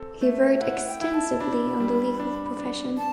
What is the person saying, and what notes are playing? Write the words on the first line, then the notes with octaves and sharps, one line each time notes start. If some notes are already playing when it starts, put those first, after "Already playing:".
He wrote extensively on the legal profession.
Already playing: C4 A4
A3 E5
E4 F#5
G5
E4
A5
D4 B5
G3
D4
D4
A5